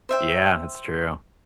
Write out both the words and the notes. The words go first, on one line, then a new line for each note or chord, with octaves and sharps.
Yeah, that's true.
C5 E5 G5